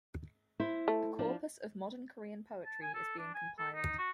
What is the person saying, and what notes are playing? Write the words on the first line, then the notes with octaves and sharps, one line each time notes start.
A corpus of modern Korean poetry is being compiled.
E4 C5
A3
F3 D4
A5
G#5
A4
D4
G#5
A4
D#4
F#4